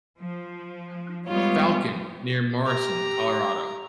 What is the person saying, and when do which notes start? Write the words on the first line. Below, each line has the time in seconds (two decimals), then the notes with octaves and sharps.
Falcon, near Morrison, Colorado.
0.19 F3
1.27 G3 G#3 B3 F4 C#5
2.64 G4 A#5